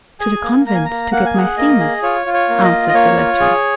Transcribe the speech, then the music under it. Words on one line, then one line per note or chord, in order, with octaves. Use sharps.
"To the convent to get my things," answered the latter.
G#4 G#5
A#3
A#3 A#5
G#5
A#3 A#5
A#3 F#5
G#5
G#4 F#5
A#3 D#5
G#4
F4 C#5
F4
C#5
A#3
D#5
F4
D#5
A#3 C#5
F4
G#4